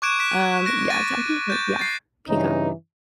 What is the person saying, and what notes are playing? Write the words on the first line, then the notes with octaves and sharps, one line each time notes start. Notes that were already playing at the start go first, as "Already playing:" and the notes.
um, yeah, I think so, yeah, Peacock,
C#6 D6 F#6 G#6 D7 E7
F#6 B6 D7 E7
F#6 A#6 D7
C#6 A6 A#6 D#7
G6 A6
A6 C7
G2 C#3 E3 C#4 D#4